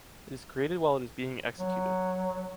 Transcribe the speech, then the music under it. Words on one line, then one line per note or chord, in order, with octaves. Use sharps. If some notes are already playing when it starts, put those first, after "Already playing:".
It is created while it is being executed.
F#3